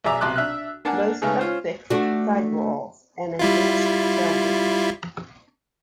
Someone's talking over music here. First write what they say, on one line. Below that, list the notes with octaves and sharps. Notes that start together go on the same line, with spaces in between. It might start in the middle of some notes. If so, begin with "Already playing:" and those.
Most have fixed side walls and a hinged tailgate.
B1 G#4 D5 E5 A#5 D6
B1 C3 A5 C6 D6 F#6
D4 E5 F6 F#6
A#3 D4 D5 F#5 G#5 A5
C#3 G#3 A3 B3 D#4 G#4
C#4 F4 C5
A3 D4 F#4
G3 E4 F4